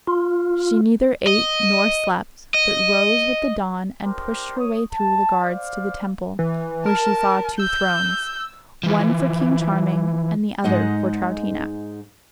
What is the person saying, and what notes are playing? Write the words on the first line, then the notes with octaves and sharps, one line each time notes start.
She neither ate nor slept, but rose with the dawn, and pushed her way through the guards to the temple, where she saw two thrones, one for King Charming, and the other for Troutina.
F4
D#5
D#5
D4 G4 A#4 C5
C#5 D#6
A5
C5 D5 F5
E3
A#4 A5
E6 G6
E3 F3
G#2 G#3 D#4 D#5 F#5